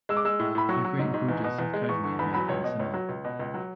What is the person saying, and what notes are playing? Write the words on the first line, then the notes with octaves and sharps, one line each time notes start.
The great Buddhas of Kashmir may have been similar.
G#3 E6
D6
G#3 E6
A2
A2 B5
F#3 C#6
F#3
G#2
G#2
E2
B2
E2
G#3
E2 C#6
D3 C#6
E2 B5
F#3 B5
C#2 C#5
B2
C#2 C#5
F#3
C#2
B2
C#2
F#3